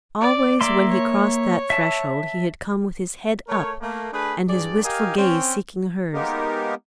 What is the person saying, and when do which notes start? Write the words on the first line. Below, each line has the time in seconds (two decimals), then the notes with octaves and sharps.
Always when he crossed that threshold he had come with his head up and his wistful gaze seeking hers.
0.20 D5
0.61 A#3 D5 E5 C6
0.91 C#5
1.70 E5 A5
3.47 A3 A#4 C#5
3.80 A3 A#3
4.11 A3 D4 G#4 B4
4.47 G2 G#4 D5
4.83 G4 A#4 D#5 F5 G#5
5.15 C4 C#4
6.14 G#3 A#3 B3 D#4 G4 A#4